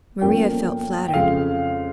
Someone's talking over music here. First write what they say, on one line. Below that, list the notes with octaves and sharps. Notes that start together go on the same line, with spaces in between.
Maria felt flattered.
G1 G2 F3 A#3 C#4 G5
G5
F2 C#3 F3 G#3 F5